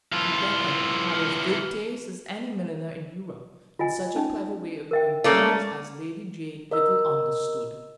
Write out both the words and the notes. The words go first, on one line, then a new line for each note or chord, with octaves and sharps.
Rebecca had as good taste as any milliner in Europe, and such a clever way of doing things as Lady Jane little understood.
E3 F4
F4 D#5 G#5
C#4 D#4
A#4 E5 G5
A3 A#3 C#4 D5 D6
A#4 D#5 E6